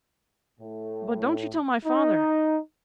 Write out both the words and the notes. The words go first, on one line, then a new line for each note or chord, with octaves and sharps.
But don't you tell my father!
A2
D#4